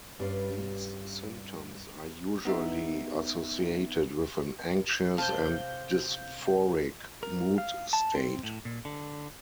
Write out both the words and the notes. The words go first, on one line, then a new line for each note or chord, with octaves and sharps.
These symptoms are usually associated with an anxious and dysphoric mood state.
G2 G3 C#4 F#4 B4 F5
B3 D#4 E5
C3 C4 F5 A5 G6
A#4
F5
A5
C4
A2
A#2
D3